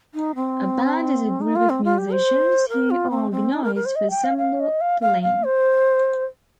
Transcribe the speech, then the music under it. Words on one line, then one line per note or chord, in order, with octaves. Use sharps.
A band is a group of musicians who are organized for ensemble playing.
D#4
C4
D#4
F4
C4
F4
G4
C5
A#4
F4
C4
C4
D#4
A#4
A#4
C5
D#5
G5
F5
F5
D#5
F5
F5
F5
C5